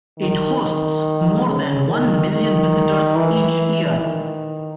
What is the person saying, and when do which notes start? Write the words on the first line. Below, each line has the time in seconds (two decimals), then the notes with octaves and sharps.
It hosts more than one million visitors each year.
0.19 D#3
0.61 D#3
1.46 C#3
1.88 D#3
2.30 D#3
3.16 E3
4.00 D#3